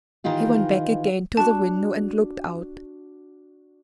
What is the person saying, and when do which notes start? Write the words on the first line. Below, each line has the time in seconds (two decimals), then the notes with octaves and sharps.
He went back again to the window and looked out.
0.24 D#3 E3 D#4 F4 G4
1.37 D4 F#4 A5